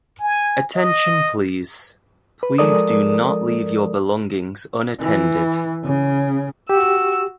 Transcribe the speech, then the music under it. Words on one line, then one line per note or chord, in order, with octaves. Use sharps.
Attention please, please do not leave your belongings unattended.
G#5
D#5
B4
F3 G#3 A4 A#4 D5 D#6
E3
C#3
F#4 G4 E6